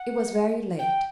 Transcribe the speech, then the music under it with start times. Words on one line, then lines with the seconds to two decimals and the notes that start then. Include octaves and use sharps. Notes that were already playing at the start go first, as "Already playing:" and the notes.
It was very late.
Already playing: F#5
0.79 G5